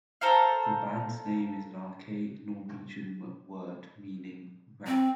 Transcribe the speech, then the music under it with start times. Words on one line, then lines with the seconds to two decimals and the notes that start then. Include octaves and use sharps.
The band's name is an archaic Norwegian word meaning "Wrath".
0.21 A4 A#4 C5 F5
4.87 C4